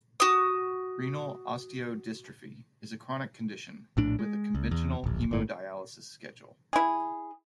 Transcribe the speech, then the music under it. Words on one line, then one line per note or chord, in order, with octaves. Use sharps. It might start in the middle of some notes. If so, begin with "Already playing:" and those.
Renal osteodystrophy is a chronic condition with a conventional hemodialysis schedule.
F#4 D#6
A#1 A2 D4
G#3
C#2
E2
D1 A#1
G1 A2
E4 G#4